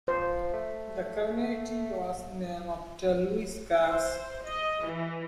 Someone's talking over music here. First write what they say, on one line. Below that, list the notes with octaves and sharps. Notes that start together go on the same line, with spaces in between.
The community was named after Lewis Cass.
F3 C5
A3
C5
D#5
E3